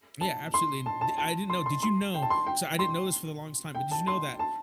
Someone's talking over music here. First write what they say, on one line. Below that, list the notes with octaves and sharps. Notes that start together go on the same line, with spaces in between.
Yeah, absolutely, and the I didn't know, did you know 'cause I didn't know this for the longest time, but did you know that,
A5
C6
A5
A5
A5
C6
C6
C6
G5
A5
C6
G5
C6
G5
A5
C6
A5